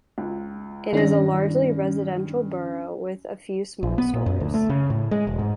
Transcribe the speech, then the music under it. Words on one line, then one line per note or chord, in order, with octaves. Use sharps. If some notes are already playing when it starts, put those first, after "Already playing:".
It is a largely residential borough with a few small stores.
C#2
G2 D#3 C#4 D4 E4 A#6
A#1
B3
A#2
F#2
D2
A3
C#3
A2
G#3
E1
G#2